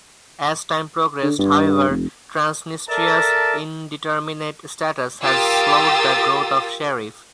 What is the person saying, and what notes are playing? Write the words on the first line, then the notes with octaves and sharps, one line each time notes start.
As time progressed, however, Transnistria's indeterminate status has slowed the growth of Sheriff.
D3
G2
F1
A4 A#4 D5 E5 A5
F4 G4 A#4 D#6 E6 A6